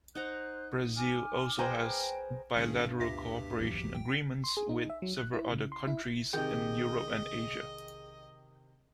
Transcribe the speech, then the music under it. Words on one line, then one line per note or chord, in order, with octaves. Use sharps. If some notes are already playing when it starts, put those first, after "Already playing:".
Brazil also has bilateral cooperation agreements with several other countries in Europe and Asia.
D#4 C5 F#5 A#5 F#6
G#5 D6 F6
G#4 B4 C5 G5 G#5 A#5
C#2 G2 D#3 C#4 G#4
B2
D2 F4 G4 E5 B6
G#1 E2 F#3
G5
C6
G#4
D#4
E5
F#3
F#6
E4
C#3
C6
E4
C3 D#3 G#4 D#5 G5